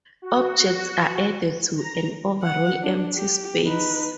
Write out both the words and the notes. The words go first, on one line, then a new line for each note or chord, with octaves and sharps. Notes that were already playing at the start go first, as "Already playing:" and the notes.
Objects are added to an overall empty space.
F#4
A#5
F#5
D4
G4
D#4 B4